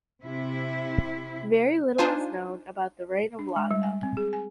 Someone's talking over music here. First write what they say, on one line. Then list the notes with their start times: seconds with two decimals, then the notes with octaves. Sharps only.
Very little is known about the reign of Iago.
0.23 C3 E4
1.98 D4 D#4 F4 C5 F5 G#5
3.39 D4
3.56 G#3
3.71 G3
3.83 G#5
4.03 C4
4.17 G#4
4.33 G#5